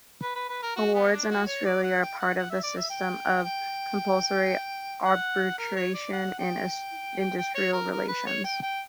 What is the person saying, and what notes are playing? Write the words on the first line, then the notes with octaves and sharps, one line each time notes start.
Awards in Australia are part of the system of compulsory arbitration in industrial relations.
B4
B4
B4
A#4
F#4
B3
D4
F#4
C#5
D5
F#5
G5
F#5
F#5
E5
D5
E5
G5
G5
F#5
A#4
C#5
D5
F#5
G5
G5
G5
C#5
A#4
A#4
B4
C#5
G5
G5